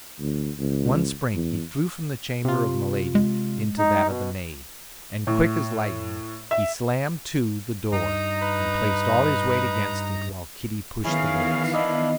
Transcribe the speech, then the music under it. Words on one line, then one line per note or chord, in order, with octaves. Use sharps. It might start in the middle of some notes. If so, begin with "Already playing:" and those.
With one spring he flew from the chamber of Milady into that of the maid, and quick as lightning, he slammed to the door, and placed all his weight against it, while Kitty pushed the bolts.
D2
C#2
E2
C3 F4
G#3
D#4
B2
A2
E5
G2 D#4 A#5
B4
D#3 E3 B3 C#4 E4 G#4 F5
D4 E4 D#5